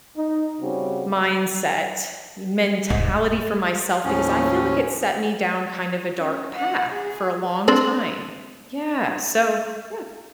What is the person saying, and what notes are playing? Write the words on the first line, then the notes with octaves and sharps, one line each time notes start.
mindset, y mentality for myself, because I feel like it set me down kind of a dark path for a long time. Yeah, so Yeah.
D#4
C#3 G3 C4 C#4 F#4
D#1 C2 G#2
D#2 A2 F3 C#4
C#4
F#5
G#4
C4 D4 C5